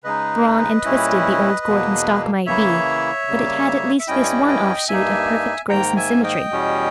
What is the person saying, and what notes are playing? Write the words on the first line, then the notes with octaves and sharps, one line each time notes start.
Thrawn and twisted the old Gordon stock might be, but it had at least this one offshoot of perfect grace and symmetry.
C#3 G#3 D#4 B4 D#5
A#2 G3 C#4 E4
E2 B2 A#3
C#3 E3 A#3 E4 C#5 E5
C#3 G3 A#3
E5
G2 G3 C#4 E4 D#5 G5
D#5 G5
G2 G3 A#3 D#4 E5 G#5
G#2 D#3 A#3 G5 A#5
E5 G#5
D#5 G5
E2 B2 G3 C#4